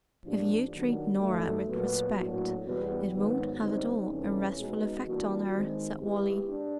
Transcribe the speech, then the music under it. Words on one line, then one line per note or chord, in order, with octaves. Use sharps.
"If you treat Norah with respect it won't have at all a restful effect on her," said Wally.
A2 F3 A#3 D4 G4
D#3 F#3 B3 D4
G2 D#3 F#3 A3
A#2 F#3 B3
A2 F#3 A#3 D4 F#4
E2 B2 G3 B3
G#2 D#3 F#3 B3
D3 G3 C4 D#4
E2 C3 E3 A3 C#4
B2 G#3 B3 D#4 G#4
E3 G3 A#3 D4 F#4
D#3 G#3 C4
G#3 B3 E4 G4
D4